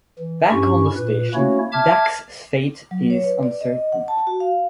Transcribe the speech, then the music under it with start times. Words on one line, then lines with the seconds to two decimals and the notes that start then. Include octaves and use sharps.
Back on the station, Dax's fate is uncertain.
0.19 E3
0.51 G2 C#4 E4 G4 C#6
0.96 A#2 B4
1.34 A3 A#3 C#4 E4 F#4 C#5
1.72 E5 A5 D6 F6 G#6
2.91 F#3
3.10 C#5
3.24 B4
3.43 D5
3.61 D#5
3.92 F#5
4.08 A5
4.27 F#4
4.40 F5